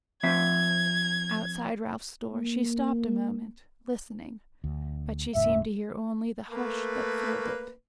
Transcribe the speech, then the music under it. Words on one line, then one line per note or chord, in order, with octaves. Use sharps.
Outside Ralph's door she stopped a moment, listening, but she seemed to hear only the hush that filled it.
F3 C4 E5 G#6
A#3
D2
D#1 G#2 C#3 E5
A3 A#3 B4